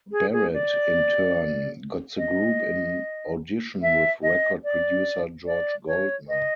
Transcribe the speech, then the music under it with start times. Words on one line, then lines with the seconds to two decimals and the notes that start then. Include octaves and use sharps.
Barrett, in turn, got the group an audition with record producer George Goldner.
0.12 G#4
0.33 G#4
0.54 D5
2.18 D#5
3.82 E5
4.23 D#5
4.64 D5
5.46 D5
5.87 C#5
6.29 D#5